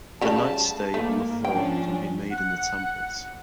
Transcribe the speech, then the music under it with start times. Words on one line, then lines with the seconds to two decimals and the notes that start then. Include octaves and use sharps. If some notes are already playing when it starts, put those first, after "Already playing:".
The night stay on the fort can be made in the temples.
0.21 C#3 G3 A3 A5
0.94 G#2 A3 A#3
1.45 F3 C#4 D4 G5
2.30 F#5